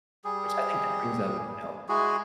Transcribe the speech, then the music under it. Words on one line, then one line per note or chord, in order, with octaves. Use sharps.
which I think that brings up, you know,
G3 G#4
G#3 E4 F#4 G#4